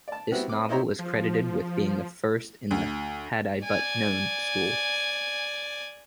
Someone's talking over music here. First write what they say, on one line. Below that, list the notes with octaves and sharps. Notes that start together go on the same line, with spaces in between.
This novel is credited with being the first in the "Had-I-But-Known" school.
D5 A5
G3 B3 C4 E4 F#4
C4 D6
D#4 E4 C5 C#5 A#5
F3
D2
D5 G#5